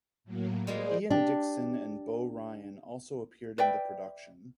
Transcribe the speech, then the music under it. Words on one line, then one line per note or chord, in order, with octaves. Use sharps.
Ian Dickson and Beau Ryan also appeared in the production.
A2 F#3 A#3
G3 G#3 A#3 G#4 C5
D4 G4
B4 D5 E5 G5